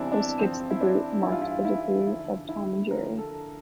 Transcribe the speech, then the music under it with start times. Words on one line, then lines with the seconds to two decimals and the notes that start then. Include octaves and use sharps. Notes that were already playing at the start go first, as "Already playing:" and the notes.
"Puss Gets the Boot" marked the debut of Tom and Jerry.
Already playing: E2 C3 E3 G3 C4 D4 E4
0.12 D4
0.39 G2 F3 C4
0.71 E4
0.81 D4
1.23 G2 E3 G3 E4
1.32 F4
1.42 E4
1.65 E4
2.07 D2 D3 F3 E4
2.49 E4
2.90 D2 D3 F3 A#4
3.18 A4